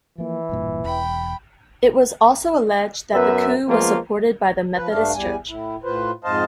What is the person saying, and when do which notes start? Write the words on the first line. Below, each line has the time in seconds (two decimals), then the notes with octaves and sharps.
It was also alleged that the coup was supported by the Methodist church.
0.18 E3 F3 A#3
0.49 E1 G2 A#2
0.85 E1 E2 G5 B5
3.13 F#2 B3 A#4 B4 E5
3.68 F3 G#3 A#3 B3 C#4 F4
4.76 F3 B4
4.91 G2 A3 D4 F5
5.14 E2 G3 G#5
5.49 A2 E4
5.84 A2 F4 B4 C5
6.24 F2 G#2 C5 D#5 F5 A5